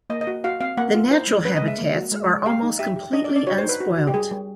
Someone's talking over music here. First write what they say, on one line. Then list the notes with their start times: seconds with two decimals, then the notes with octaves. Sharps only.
The natural habitats are almost completely unspoilt.
0.10 A#3 D#5
0.21 D#5
0.27 F#4
0.44 F#4 F5
0.61 C4 F5
0.77 A#3 F#5
0.95 F4
1.11 E4 C5
1.27 G#3
1.45 C#4 B4
1.57 D#5
1.62 G#3
1.68 E5
1.78 A#3
1.96 F#4
2.12 G#3
2.29 G#3
2.46 G4 F5
2.63 D#4
2.79 G4 E5
2.96 G4
3.13 D4 D#5
3.24 D5
3.30 D4
3.36 D5
3.47 F#4 C#5
3.58 C5
3.63 D#4
3.69 B4
3.80 F#4
3.97 F#4
4.07 G4
4.14 G3 G#4
4.31 G3